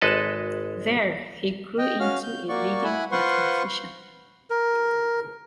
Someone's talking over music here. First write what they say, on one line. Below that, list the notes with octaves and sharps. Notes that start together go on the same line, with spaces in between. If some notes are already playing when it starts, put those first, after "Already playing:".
There he grew into a leading mathematician.
G#1 G#3 A4 B4 D#5 A5
D#5 G5
C#4 F#4 F5 F6
G6
A#3 F#4 D5 C#6
E4 F#5 G#5 B5
F4 B4 C5 F#5 C6 C#6
A#4